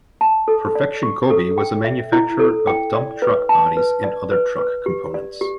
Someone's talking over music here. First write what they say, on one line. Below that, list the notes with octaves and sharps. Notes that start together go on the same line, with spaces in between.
Perfection Cobey was a manufacturer of dump truck bodies and other truck components.
A5
A4
D5
C#6
A4
G5
E5
E4
A4
G5
D5
B4
A5
B4
D5
B4
B4
G4
D5
G4